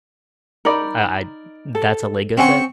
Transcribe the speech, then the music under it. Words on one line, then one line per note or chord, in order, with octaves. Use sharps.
I I that's a LEGO set?
D#4 A#4 D5 B5
A4
C4 C#4 F#5 G#5 C#6